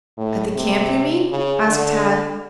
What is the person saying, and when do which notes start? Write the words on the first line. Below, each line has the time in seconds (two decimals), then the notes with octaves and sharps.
"At the camp, you mean?" asked Tad.
0.17 A2
0.55 C3
1.30 C#3
1.67 D3